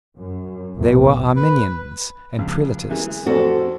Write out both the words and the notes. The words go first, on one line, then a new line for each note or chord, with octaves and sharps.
They were Arminians and Prelatists.
F#2
A#1 E2
B4
C#2 F3
F#2 E3 G#3
F2 F#4 G4 A4 C5 D5